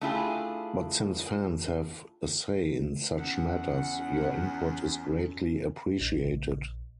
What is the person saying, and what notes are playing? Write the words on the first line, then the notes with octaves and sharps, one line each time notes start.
But since fans have a say in such matters, your input is greatly appreciated.
A3 D4 E4 F4 G4 G#4
E2 C#4 F#5
A#1